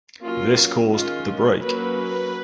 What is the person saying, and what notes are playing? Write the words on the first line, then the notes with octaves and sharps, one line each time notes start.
This caused the break.
F#3 A#3 C#4 F4
D#3 G#3 C#4 F4
F#3 A#3 C#4 B4